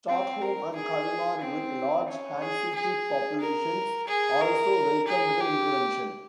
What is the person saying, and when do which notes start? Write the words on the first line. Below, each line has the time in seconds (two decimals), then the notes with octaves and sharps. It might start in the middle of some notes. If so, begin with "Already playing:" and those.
Stockholm and Kalmar, with large Hanseatic populations, also welcomed the intervention.
0.09 C4
0.42 A#4
0.75 G#4
1.41 C4
2.08 C#4
2.42 G#4
2.75 G#4
3.41 A#4
4.08 G#4
4.41 A#4
5.08 G#4
5.41 G4